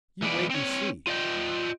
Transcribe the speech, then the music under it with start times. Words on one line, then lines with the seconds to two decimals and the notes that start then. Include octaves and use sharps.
You wait an' see.
0.22 E3 G#3 B3 D5
0.51 C4 C#5
1.07 F4 D5 D#5 G5